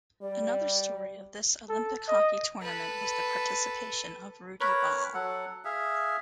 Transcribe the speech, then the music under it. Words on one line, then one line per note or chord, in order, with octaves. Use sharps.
Another story of this Olympic hockey tournament was the participation of Rudi Ball.
G3 D5
A4
D#5
A4 B4
A#4 B4 C#5 B5
F#3 A4 F#5
G#4 E5 F5